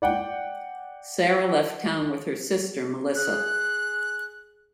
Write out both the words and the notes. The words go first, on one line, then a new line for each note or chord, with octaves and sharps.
Sarah left town with her sister, Melissa.
D5 F#5 G5
G#4 F#6